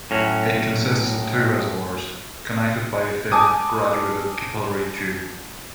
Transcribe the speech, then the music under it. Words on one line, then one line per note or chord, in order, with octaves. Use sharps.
It consists of two reservoirs connected by a thin graduated capillary tube.
A2 F#3 C#4
G#5 A5 D6 D#6